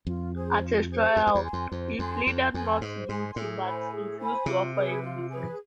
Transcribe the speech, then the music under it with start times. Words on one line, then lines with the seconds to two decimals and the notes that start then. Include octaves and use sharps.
At his trial he pleaded not guilty, but refused to offer any defence.
0.07 F2 F4
0.34 G#4 C5
0.62 F4
0.90 G#4 C5
1.16 F2 C5
1.27 F2
1.35 E2
1.44 G#5 C6
1.53 F2
1.71 F2 C5
1.99 F2 G#5 C6
2.27 F2 C5
2.54 F2 G#5 C6
2.81 G#2 C5
3.09 G#2 G#5 C6
3.36 A2 G#4
3.64 C5 G#5 B5
3.92 G#4
4.19 C5 G#5 B5
4.46 C3 F4
4.74 G#4 B4
5.02 F4
5.29 G#4 B4